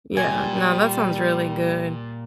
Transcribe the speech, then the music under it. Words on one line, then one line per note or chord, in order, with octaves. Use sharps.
Yeah, no, that sounds really good.
A#2 G3 G#5